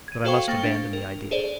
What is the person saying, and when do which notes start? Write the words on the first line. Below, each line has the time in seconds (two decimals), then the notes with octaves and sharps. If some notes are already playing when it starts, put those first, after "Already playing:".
But I must abandon the idea.
0.08 G#6 D#7
0.25 F#4 A4 C5 F5 G5 C#6
0.48 A#3 G5 A6 C#7 G7
0.63 D4
0.93 A#4
1.31 G#4 A4 C5 D5